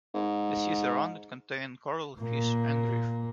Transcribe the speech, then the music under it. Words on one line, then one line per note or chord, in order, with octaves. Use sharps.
The seas around it contain coral, fish and reef.
G#2
A#2 A#3